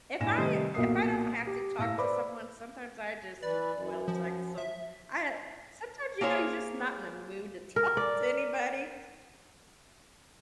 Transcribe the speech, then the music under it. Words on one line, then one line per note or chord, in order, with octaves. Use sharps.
If I if I don't have to talk to someone, sometimes I just will text 'em. I, uh, eh sometimes you know you're just not in the mood to talk to anybody,
A2 D4 G#5 A#6 E7
C3 D#3 G3 A3 D#4 D#6
B1 A#2 F#4 A#4 D#6 C7
G4
A2 F5 E6 A#6
B4 C5 D5 B5 D6
E3 B4 D5
F#2
F3
E5
A#3 G#4 C5 C#5
A#4
D5